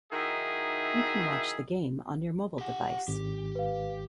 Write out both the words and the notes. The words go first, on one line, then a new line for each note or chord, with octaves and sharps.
You can watch the game on your mobile device.
D#3 D#4 E4 F#4 G#4 E5
G4 F#5
G#1 G4
B4 F5